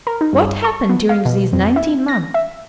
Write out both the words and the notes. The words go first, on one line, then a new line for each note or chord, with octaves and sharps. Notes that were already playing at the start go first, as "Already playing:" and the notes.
What happened during these nineteen months?
A#4
D#4
G2
C#6
B3
F5
B2
F2
E4
A#6
E5